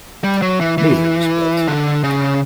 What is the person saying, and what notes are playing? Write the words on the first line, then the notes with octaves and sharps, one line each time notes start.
Neither was built.
G3
F#3
E3
E3
D3
C#3